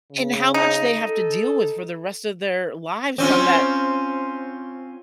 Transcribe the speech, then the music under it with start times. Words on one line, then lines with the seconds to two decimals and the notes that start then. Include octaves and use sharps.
and how much they have to deal with for the rest of their lives from that,
0.11 C#3
0.54 D#4
1.00 A4
3.18 C4 C#4 F4